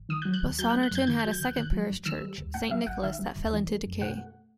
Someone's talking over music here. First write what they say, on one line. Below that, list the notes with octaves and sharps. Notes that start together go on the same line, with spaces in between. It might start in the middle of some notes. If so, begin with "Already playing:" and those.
But Saunderton had a second parish church, Saint Nicholas, that fell into decay.
Already playing: A1
D#3 D#6
F#6
F#3
F#6
D#2
F#3 G6
F#6
A3
F#6
F#2 G6
D#3 G6
G6
F#3
G6
D#2 F#6
D#3 F#6
F#3
G2
D#3 E6
G3
D#2
A2 F#5
F#3 E5
A1 F#5
D#3 E5
G3
D#2
E3
A3
F#2
B2 F#5
A3